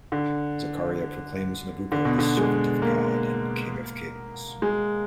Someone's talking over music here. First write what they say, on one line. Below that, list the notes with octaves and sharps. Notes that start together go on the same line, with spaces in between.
Zaccaria proclaims Nabucco the servant of God and king of kings.
D3
D3
B2
D3
G#3
A#3
G#3